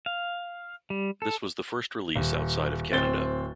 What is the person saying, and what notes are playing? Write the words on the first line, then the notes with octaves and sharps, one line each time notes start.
This was the first release outside of Canada.
F5
G3
A4
D#1
D1 C4 A6 G7